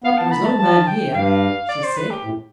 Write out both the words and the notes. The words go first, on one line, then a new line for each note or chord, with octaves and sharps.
"There is no man here," she said.
B3 F5
B3 A5
B5
A3
A5
F3 A5
G5
G2 F5
D5
C5
B4
G4
A2